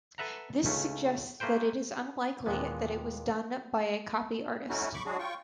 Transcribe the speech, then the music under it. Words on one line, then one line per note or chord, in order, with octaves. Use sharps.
This suggests that it is unlikely that it was done by a copy artist.
A4 B4 E5 F#5 A#5
C#2 A3 C#4
A3 A#3 B4 C5 G5
D#2 A#2 E3 G#3 B3
A3 C#4 D#4 E4 F#4
B5 C#6 D6
F#3 G#3 D4 F#4 G#4
F4 G5 C#6